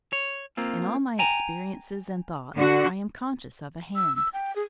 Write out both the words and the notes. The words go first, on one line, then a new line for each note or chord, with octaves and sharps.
In all my experiences and thoughts I am conscious of a hand.
C#5
A#3 C4 F4
G5 G#5 A#5
D3 F#4
E6
E6
G5
G#4